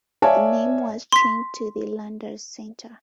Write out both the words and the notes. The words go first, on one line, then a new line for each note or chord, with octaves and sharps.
The name was changed to the Landers Center.
C#5 D5 E5 F5 G#5 A5
C6 B6